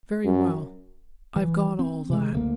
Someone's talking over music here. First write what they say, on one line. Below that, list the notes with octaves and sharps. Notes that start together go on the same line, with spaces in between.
Very well--I've got all that.
F#2
E3
C4
C3 G#3
D2 A3 A#3